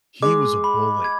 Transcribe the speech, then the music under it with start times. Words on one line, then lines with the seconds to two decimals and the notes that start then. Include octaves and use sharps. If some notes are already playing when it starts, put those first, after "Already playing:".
he was a bully.
0.22 G#3 D6
0.64 B5
1.04 G#6